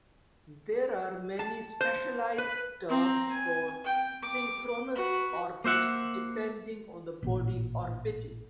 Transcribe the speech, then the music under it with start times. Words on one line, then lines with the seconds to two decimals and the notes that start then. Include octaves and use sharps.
There are many specialized terms for synchronous orbits depending on the body orbited.
1.39 A5
1.81 C5
2.38 B4
2.89 C4 A#5
3.32 G#5
3.85 G5
4.23 D6
4.95 F#4 B4
5.64 A#3 C5 E5 F#5
7.23 A1 A#2